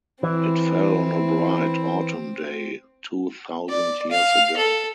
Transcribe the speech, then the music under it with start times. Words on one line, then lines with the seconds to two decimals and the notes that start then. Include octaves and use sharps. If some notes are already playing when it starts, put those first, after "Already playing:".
It fell on a bright autumn day two thousand years ago.
0.23 E3 C4 E4
3.69 D5
4.11 F5
4.57 A4